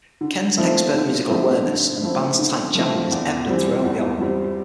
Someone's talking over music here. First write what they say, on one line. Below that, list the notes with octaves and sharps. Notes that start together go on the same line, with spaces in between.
Ken's expert musical awareness and the band's tight jamming is evident throughout the album.
D3
F3 A3 C4 E4
D3
F3 A3 C4 E4
D3
F3 A3 C4 E4
D3
F3 A3 C4 E4
E2
E3 G3 C4
E2
E3 G3 C4